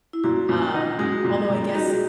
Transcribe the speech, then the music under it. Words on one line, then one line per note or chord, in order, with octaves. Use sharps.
Um, although I guess
E4
A#2 F#4
A#2
D#4
G#3 F#4
A#2
A#2
G#4
D#4 F#4